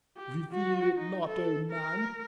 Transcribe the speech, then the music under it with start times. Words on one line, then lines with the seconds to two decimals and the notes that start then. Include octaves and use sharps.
Reveal it not, oh Man!
0.17 G4
0.51 F#4
0.97 D#4
1.27 A4
1.71 A#4